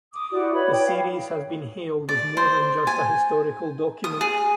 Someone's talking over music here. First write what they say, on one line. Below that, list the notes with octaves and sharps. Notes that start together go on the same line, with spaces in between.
The series has been hailed as more than just a historical document.
D6 D#6
E4 F#4 G4 D5
B4 C#5 B5
C#5 G5
F5
D5
C5
G#5
D#6
G#4